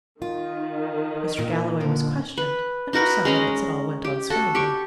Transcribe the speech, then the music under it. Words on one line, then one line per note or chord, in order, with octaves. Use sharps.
Mr. Galloway was questioned; and for some minutes it all went on swimmingly.
D#3 F4
A#2
D3 F3 A#3
B4
D#4 F#4 A#4 B4
G#3 C#4 A#5
G4
F#4 A4
G4 C#6